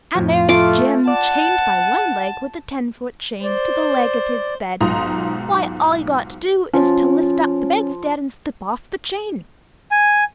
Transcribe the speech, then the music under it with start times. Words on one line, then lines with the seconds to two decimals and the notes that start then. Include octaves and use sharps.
And there's Jim chained by one leg, with a ten-foot chain, to the leg of his bed: why, all you got to do is to lift up the bedstead and slip off the chain.
0.15 F2 A2 F3
0.49 A3 F4 D6
1.08 D5 F#5 A5
3.44 C5 D5
4.80 B1 G#2 F4 A#5 C6 D#6
6.73 F3 C#4
9.91 G#5